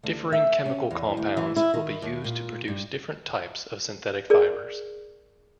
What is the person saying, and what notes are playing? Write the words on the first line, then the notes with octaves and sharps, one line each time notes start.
Differing chemical compounds will be used to produce different types of synthetic fibers.
D2
E5
C#4
E2
D2
E3
E4
D#3
D#2
A#2
G2
G#4 A#4 D5